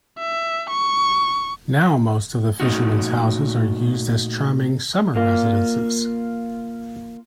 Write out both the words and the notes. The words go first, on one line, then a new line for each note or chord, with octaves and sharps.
Now most of the fishermen's houses are used as charming summer residences.
E5
C#6
A#2 A3 D#4 F#4
A#3 F4